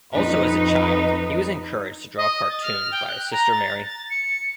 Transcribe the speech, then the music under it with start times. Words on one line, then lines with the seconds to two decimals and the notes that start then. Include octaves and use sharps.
Also as a child he was encouraged to draw cartoons by his sister Mary.
0.12 F2 D#4 B4
2.17 D#5
2.49 A6
2.62 F6
2.91 G5
3.08 F#6
3.31 A#5
3.51 A6
3.86 A6
4.10 C#7